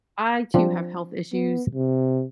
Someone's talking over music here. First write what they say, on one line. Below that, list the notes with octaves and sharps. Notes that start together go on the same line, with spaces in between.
I, too, have health issues,
F3 C4 D4
B3
C3